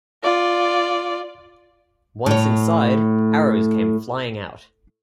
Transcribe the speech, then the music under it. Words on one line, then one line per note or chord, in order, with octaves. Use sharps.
Once inside, arrows came flying out.
F4 D5
A2 C#5